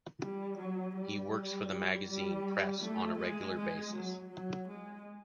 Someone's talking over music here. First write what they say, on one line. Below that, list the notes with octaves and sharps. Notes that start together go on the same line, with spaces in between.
He works for the magazine press on a regular basis.
G3
F#3
G3
G3
A3
G#3
G#3
F#3
F#3
G#3